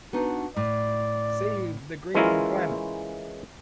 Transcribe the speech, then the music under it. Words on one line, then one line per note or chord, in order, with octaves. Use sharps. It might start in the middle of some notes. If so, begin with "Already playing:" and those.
Save the Green Planet!
B3 D4 D#4 F#4
A2 D5
E3 G#3 C#4 E4 F4 A#4